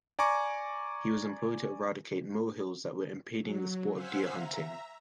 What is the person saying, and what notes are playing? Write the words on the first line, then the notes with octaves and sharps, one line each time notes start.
He was employed to eradicate molehills that were impeding the sport of deer hunting.
D5 G#5 A#5 C#6 D6
F#3
C5 F5 F#5 G#5 E6 B6
E5 A#5